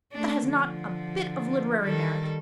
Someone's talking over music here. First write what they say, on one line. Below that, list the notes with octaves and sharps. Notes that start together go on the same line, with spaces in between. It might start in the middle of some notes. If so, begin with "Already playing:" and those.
That has not a bit of literary merit.
A3 D4
D3 F3
D#3 G3 A4